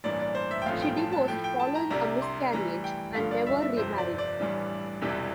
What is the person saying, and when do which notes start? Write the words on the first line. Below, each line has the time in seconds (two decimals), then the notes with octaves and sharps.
She divorced following a miscarriage and never remarried.
0.04 A1 G2 E3 A#3 D4 D5
0.20 D5
0.35 C5
0.51 E5
0.62 G5
0.66 A1 G2 F3 A3 C4 F5
0.82 G5
0.97 A5
1.13 A5
1.28 A2 F3 A3 G5
1.44 G5
1.60 A5
1.75 A#5
1.91 C2 C3 G3 D4 A#5
2.22 C6
2.53 A2 E3 G3 A#5
2.84 G5
3.15 G2 D3 F3 F5
3.31 D5
3.46 E5
3.62 E5
3.77 G1 F2 C3 C5
3.98 D5
4.18 D5
4.39 A1 G2 E3 G3
5.01 E1 E2 C3 E3 G3